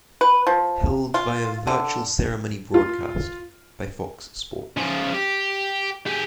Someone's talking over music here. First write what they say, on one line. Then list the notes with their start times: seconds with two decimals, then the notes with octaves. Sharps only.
Held via virtual ceremony broadcast by Fox Sports.
0.21 B4
0.47 F3
1.14 F4
1.67 D3
2.74 F4
4.77 C#3 F3
5.15 G4
6.06 G4 G#4